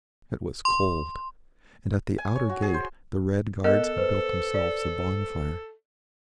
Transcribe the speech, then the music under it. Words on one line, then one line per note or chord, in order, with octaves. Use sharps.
It was cold, and at the outer gate the Red Guards had built themselves a bon-fire.
C6
G#5
C#5
F#4
G#4
C5
B3 A4 A#4 D#5 F#6
B4 C5
D5